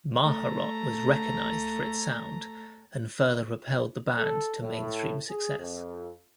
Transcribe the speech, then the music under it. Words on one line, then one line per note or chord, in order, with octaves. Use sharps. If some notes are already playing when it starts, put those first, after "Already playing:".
"Maharot" was recognized for its sound, and further propelled the band to mainstream success.
A3 A#5
A4
A2
G#4
F2